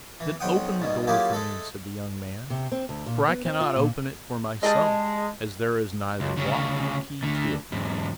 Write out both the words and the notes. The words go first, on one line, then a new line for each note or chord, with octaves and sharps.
"Then open the door for me," said the young man; "for I cannot open it for myself, as there is neither lock nor key to it."
E3
B1 C5 F#5 G5 D#6
C2 G#2 B2
F#3 A#3 E4 F4 G4 G#4
G#3 A3 A4
C3
C4
D2
A#2
B3
C4
F4
A#2
G3 G#3 D5 D#5 A5
C#2
D2 C#3
D2 D3
E2 G#2